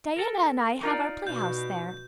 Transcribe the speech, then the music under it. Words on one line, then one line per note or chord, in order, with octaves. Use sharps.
Diana and I have our playhouse there.
A4 A#4
D#4 F4 A#4 D5 A#5
B2 G6